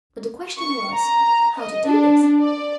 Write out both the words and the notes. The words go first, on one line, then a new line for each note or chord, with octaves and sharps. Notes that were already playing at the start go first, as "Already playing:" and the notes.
But the question was, how to do this.
C#6
A#5
D#5
D4
D5